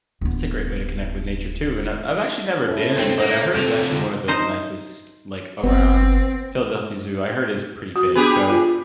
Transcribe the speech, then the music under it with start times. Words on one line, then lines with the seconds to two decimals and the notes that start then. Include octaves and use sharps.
That's a great way to connect with nature too, and I've I've actually never been, but I heard it's actually one of the nicest like around Philadelphia Zoo, I heard it's pretty big, so,
0.21 D1 B3
2.68 C#4 E4 A4
2.98 D#2 C4
3.20 A#3
3.54 F2 C3 G6 D7 F7
3.90 D3
4.28 D#4 C5 D#5
5.64 G1 B3 C4
7.96 F#4
8.16 B3 D4 G4 G#4 B4
8.50 F4